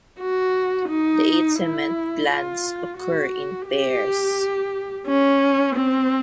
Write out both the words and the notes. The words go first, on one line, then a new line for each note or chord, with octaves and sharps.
The eight cement glands occur in pairs.
F#4
D#4
E4
F4
F#4
G4
C#4
C4